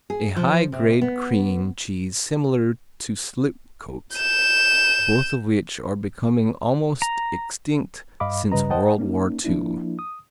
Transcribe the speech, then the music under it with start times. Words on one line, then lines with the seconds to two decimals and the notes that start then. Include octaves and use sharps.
A high-grade cream cheese similar to Slipcote, both of which are becoming almost extinct since World War II.
0.10 G#4
0.36 F3
0.72 C3
1.01 B3
4.16 G6 E7
7.02 A#5
8.20 G2 D#5 F5 B5 D6
8.52 G2 C#3 G3 B4 D#5 A#5
8.70 C5 D#5 F#5 G5 A5
8.98 A#3 C#4 D#4
9.44 F3 A#3 D4 E4
9.99 D#6